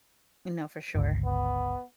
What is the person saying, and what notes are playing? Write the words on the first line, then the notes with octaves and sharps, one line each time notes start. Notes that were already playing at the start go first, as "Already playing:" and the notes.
You know, for sure.
G1 C#2
B3